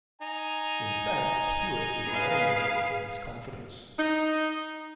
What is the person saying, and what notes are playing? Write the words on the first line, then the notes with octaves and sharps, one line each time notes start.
In fact, Stewart did not enjoy King's confidence.
D#4 G#5 A#5
G#4 B4 F5
D#4